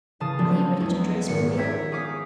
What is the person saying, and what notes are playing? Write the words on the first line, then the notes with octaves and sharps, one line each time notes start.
"Are you ready to dress me now?"
C#3 E3 F5 A5 D#6
F3 F#3 A3 B3 C4 D4
E2 G#3 C#4
D#1 G#1 C#7
C#5 E5 G5 A#5 G#6 B6
G#4 C#5 F5 D6 D#6 B6